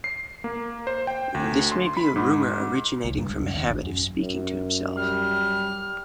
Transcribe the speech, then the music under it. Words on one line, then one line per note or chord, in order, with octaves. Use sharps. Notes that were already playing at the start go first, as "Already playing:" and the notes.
This may be a rumour originating from a habit of speaking to himself.
C7
A#3
C5
G5
D2
C6
B5
G#2
C#2
G2
C#2
F#2
D#2
A1
F#2
F#2
G3 F6